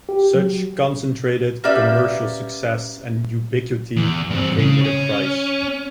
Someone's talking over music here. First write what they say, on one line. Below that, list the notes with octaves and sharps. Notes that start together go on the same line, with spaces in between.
Such concentrated commercial success and ubiquity came with a price.
G4
F#3
A#3 C#4 G4 B4 D5 E5
E2
G2 C4
C#3
C#4